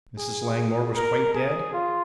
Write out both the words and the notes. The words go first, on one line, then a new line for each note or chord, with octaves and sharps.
"Mrs. Langmore was quite dead?"
G#4
G#4
A#4
G#4
F4